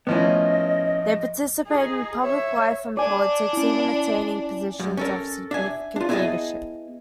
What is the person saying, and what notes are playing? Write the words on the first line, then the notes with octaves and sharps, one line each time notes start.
They participated in public life and politics, even attaining positions of significant leadership.
A2 F3 B3 C#4 E4 D#5
D#4 G#4
C#5 E5
D4 D5 G#5
C#4 E4
F#2
C#4 A4 A#4
D4 E5 G#5
D4 F4
B3 E4 G#4 D#5 G#5 A5